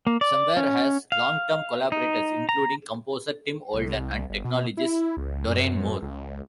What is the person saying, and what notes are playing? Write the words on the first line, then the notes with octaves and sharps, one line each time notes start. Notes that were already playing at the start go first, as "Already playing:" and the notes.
Somewhere has long-term collaborators including composer Tim Olden and technologist Dorian Moore.
A#3
D5
C#4
F5
D#4
A#5
C2
G1
B2
E4
C#2
F#2
C#2